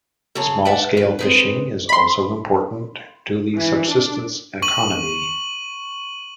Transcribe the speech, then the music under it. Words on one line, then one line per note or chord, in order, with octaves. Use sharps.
Small-scale fishing is also important to the subsistence economy.
F#2 C#3 G#4 C#5 A5
B4 D5 E5 F#5
F4 B4
C4 G#4 B4
B5 C6
E3
D4
C#6 D#7 F#7